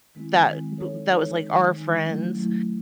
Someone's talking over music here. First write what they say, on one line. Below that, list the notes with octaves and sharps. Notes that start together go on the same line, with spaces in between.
that b that was, like, our friends.
D#3 G#3 C4 E4
D#3 G#3 C4 E4
G#3 D#4 A4 C#5
G#3 D#4 A4 C#5
D#3 G#3 D#4
D#3 G#3 D#4
F#3 A3 C#4 E4
F#3 A3 C#4 E4